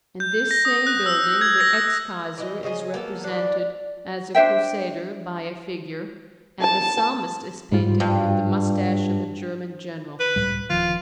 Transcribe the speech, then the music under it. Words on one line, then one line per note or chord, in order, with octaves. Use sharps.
In this same building the ex-kaiser is represented as a crusader by a figure and the Psalmist is painted with the moustache of a German general.
G6
A#6
D#6
F#6
E6
G#6
A#6
E6
E3 D#5
C#3 F3 D#5 G#5
A#3 B3 A4
E3 D4
D4 C5 E5 G5
A5
G#2 G3 F4
G2
B4
C#2 A2 G3
D#1 D#3 F3 F4